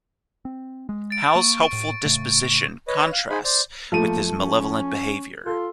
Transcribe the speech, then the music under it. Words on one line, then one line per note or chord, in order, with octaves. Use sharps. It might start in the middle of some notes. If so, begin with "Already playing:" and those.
Hal's helpful disposition contrasts with his malevolent behaviour.
C4
G#3
A6 D7
A#3 C#6
A2
A2 C#3 A3
B4 C#5 D#5
F5 F#6
D#4 G#4 C5 G#5 B5
C5 D5
F3 A3 A#3 D#7
C#4
F4 A4